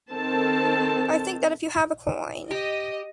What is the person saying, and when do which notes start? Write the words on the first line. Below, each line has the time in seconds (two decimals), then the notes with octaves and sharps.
I think that if you have a coin.
0.11 D#3 C4 A4 A5
2.51 G4 D#5